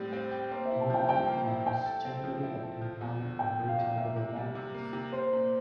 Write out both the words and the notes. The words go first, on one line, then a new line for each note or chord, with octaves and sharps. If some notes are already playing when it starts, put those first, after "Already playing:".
Mobile phones generally obtain power from rechargeable batteries.
Already playing: A2 G3 C4
C4
G4
A#3 C5
E5
E4
A5
F3 G5
G2 G5
A#3
E4
E4 G5
A4
C4
F3
E4
A4
F3
E2
D3
E2 G5
F3
F5
E2
A#3 E5
C3
G3
C3
A#3
C3
A#3 C5
A#2